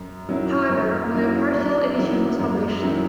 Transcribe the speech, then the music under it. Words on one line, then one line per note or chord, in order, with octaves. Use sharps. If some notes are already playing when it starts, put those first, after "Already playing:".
However, only a partial edition was published.
Already playing: F#2
D#3 F#3 C#4 E4
F#2
D#3 F#3 C#4 E4
F#2
D#3 F#3 C#4 E4
F#2
D#3 F#3 C#4 E4